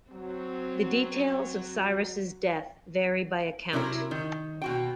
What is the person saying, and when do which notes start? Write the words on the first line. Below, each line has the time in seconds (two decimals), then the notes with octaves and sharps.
The details of Cyrus's death vary by account.
0.12 F#3 C4
3.73 C3 F#3 E4 A#4
4.11 D#3
4.62 B2 F#4 G5